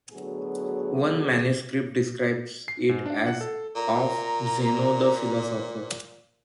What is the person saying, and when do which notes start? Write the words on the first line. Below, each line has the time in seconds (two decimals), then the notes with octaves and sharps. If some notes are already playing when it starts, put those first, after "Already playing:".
One manuscript describes it as "of Zeno the Philosopher".
0.12 A2 D3 F#3 B3 F#4 G#4
2.68 C7
2.89 G#2
3.06 D4
3.27 F#5
3.41 A4
3.75 A#2 A#5